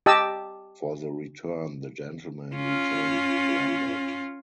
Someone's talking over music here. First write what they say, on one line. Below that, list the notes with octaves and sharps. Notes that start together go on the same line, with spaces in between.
For the return, the Gentlemen retained Lambert.
G4 D#5 A5 E6
C#4 F4